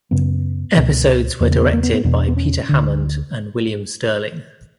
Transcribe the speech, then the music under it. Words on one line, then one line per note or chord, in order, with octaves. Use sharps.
Episodes were directed by Peter Hammond and William Sterling.
F#2 C#3 B3
C#2 B2
E2 C#3 A#3
A#3
B3
A#3
B3
B3
E2 B2 D4
B3
C#4
D2 D3